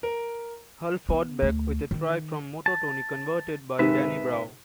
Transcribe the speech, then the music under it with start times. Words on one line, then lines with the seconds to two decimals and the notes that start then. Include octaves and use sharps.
Hull fought back with a try from Motu Tony converted by Danny Brough.
0.03 A#4
1.09 B3
1.42 D2
1.91 D#3
2.66 A5
3.79 G#2 C3 D#3 B4 E5